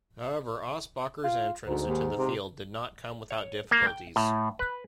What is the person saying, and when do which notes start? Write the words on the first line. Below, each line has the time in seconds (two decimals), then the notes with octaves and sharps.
However, Aschbacher's entrance into the field did not come without difficulties.
1.24 F4
1.67 D2 G#2
1.86 D#2
2.18 C3
3.31 C#5
3.71 A#3
3.87 G5
4.16 A2
4.59 B4